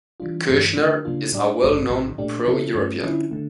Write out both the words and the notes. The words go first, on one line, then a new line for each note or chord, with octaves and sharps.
Kouchner is a well-known pro-European.
E3 G3 D4 F4
G2 E3 A3
D3 F3 A3 D4
C#3 F3 A#3 D4 F4
A2 G3 D4 G4 D5
A1 G2 F3 A3 C#4
A#1 A2 F3
A#2 A3 D4 G4
C#3 F3 C#4 E4 A4
G2 F3 A3 C#4
D3 F3 C#4 E4
D3 A3